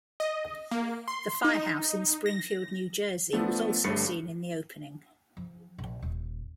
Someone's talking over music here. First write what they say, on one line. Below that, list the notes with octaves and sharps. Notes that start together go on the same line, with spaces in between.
The firehouse in Springfield, New Jersey was also seen in the opening.
D#5
A#3
C6
D#4
A#6
F3 A3 B3 D4 A4
G1 G2 A3 A6 C7 C#7
F3
A#1
D#1